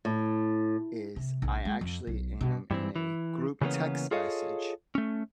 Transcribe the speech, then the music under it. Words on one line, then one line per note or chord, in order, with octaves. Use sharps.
is I actually am in a group text message
A2
C3
A#1
G#3
F2
B1
B2
G2 E3 C4
E3
C#3 E3 G3 A#3 B3 C#4
F4 G#4 A4 C#5 D#5 F5
A3 C#4